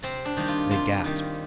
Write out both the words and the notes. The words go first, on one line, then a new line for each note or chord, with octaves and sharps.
They gasped.
C3 C4
D4
D#3 G3 A#3
F4
C3 F4
D#3 G3 A#3